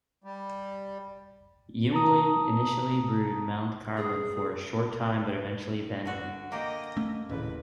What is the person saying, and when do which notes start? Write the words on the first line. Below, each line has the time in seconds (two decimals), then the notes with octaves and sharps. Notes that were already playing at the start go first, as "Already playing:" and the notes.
Yuengling initially brewed Mount Carbon for a short time but eventually abandoned it.
0.24 G3
1.92 A5 A#5 D#6
3.97 G#4
6.05 D3 F#4
6.52 A#3 G4 D#5
6.97 A3 C#4
7.29 D#1 A1 C#3 B4